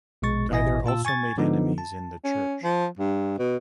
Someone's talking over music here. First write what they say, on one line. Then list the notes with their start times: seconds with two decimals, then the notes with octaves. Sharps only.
Diether also made enemies in the church.
0.22 A#1 B2 G#3 C#6 A6
0.50 A1 B2 E4 D#5 G#5 A#6
0.84 A#2 F4 A5 E6
1.05 G#5 C#6 G#6 A6
1.38 D3 F3 B3 D#4
1.78 A5
2.24 C#4
2.64 F3
2.99 G2
3.39 B2